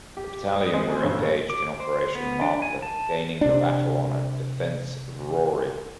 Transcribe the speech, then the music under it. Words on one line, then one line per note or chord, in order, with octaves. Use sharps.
The Battalion were engaged in Operation Martlet gaining the Battle Honour "Defence of Rauray".
G4
D#6
G#3 C4
A1 G2 A#2 C5 C#5 E6
D6
C5
B3
D4
G#5
A5
C3 D4